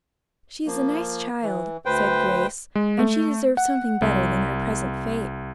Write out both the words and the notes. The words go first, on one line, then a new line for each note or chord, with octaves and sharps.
"She is a nice child," said Grace, "and she deserves something better than her present fate."
F3 A#3
E3
D2 B4 C5 G5
G#3
A3
F#5
C2